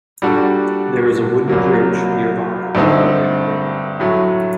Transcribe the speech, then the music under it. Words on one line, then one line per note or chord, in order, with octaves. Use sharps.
There is a wooden bridge nearby over the Eg River.
A#2 G3 D4 F#4 A4
C2 A#2 F#3 A#3
G2 D3 A3 C4 D#4
A2 F#3 A3